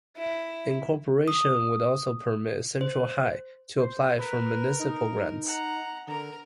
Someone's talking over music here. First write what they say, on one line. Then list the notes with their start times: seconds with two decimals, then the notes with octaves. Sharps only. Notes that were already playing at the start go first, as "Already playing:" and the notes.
Incorporation would also permit Central High to apply for municipal grants.
0.17 E4
1.28 D#6
2.81 C5
3.77 C5
4.19 A#4 B4
4.79 D#4
5.46 F#5 A#5
6.07 D3 A#4 A#5